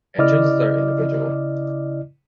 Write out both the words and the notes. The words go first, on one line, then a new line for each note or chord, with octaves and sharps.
Entrances are individual.
C#3 E4 D5 D#5 D6 F6